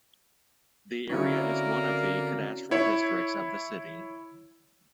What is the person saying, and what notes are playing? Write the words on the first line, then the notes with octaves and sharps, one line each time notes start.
The area is one of the cadastral districts of the city.
D3 A#3 C4 C#4 E4 F#4 A#4 D5
E4 C#5